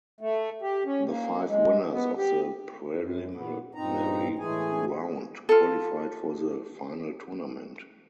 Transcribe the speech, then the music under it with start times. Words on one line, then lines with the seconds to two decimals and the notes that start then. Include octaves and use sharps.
The five winners of the preliminary round qualified for the final tournament.
0.21 A3
0.62 G4
0.86 C#4
1.07 A#3
1.48 G#3
1.93 B3
2.17 G4
2.96 F#2
3.34 A#2 B3
3.75 G2 A#2 C4 D#4 A#5
4.39 A2 E3 G#3 A3 G#4 G#5
5.49 F4 A4